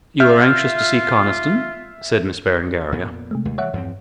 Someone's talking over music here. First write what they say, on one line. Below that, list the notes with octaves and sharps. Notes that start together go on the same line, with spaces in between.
"You are anxious to see Conniston?" said Miss Berengaria.
F4 E5 F6 G6
F2 A#2 B3
C3 G#3 A3
D#2
E3 F#3 G3 C#5 E5 F#5
E2 G2 F3 C4